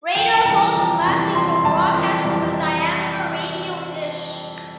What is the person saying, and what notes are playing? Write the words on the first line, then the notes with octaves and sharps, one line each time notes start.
Radar pulses lasting were broadcast from a diameter radio dish.
F2 G5
A5
C3 E3 G3 A#5
F2
C3 E3 G3
F2 C6
C3 E3 G3 A5
F2
C3 E3 G3